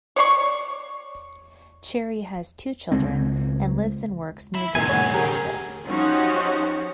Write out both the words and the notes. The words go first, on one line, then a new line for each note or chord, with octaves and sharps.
Cherry has two children and lives and works near Dallas, Texas.
C#5 D5 C6 C#6
C#2 G#3 C4
E5 B5
F1 E2 A2 G#5
C#5 F#5
D3 G4 G#4 A#4
F3 C#4 D#4 F#4 G4